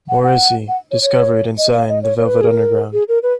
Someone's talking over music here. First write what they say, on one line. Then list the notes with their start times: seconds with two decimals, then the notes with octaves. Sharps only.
Morrissey discovered and signed the Velvet Underground.
0.09 F#5
0.23 F#5
0.68 F#5
0.91 C#5
1.02 C#5
1.58 D#5
1.73 F5
1.89 D#5
2.03 C#5
2.18 C#5
2.26 B4
2.41 G#4
2.48 A#4
2.93 G#4
3.08 A#4
3.23 B4